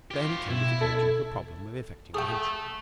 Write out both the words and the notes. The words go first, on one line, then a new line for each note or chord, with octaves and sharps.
Then he turned his attention to the problem of effecting an entry.
F4 G4
B2 E4
A4
A3 G#4 G5